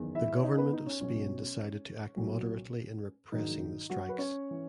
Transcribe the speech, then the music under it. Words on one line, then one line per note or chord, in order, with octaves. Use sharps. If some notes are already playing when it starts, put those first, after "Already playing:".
The Government of Spain decided to act moderately in repressing the strikes.
Already playing: F#1 E2 D#3
E4 E5
C#5
D#4 D#5
B3 B4
D#4
C#4
B1 B2 F#3 C#4
B1 A#2 F#3
A#1 G#2 D#3 F#3 D#4
F#3 F#4
B4
C#4 C#5
E3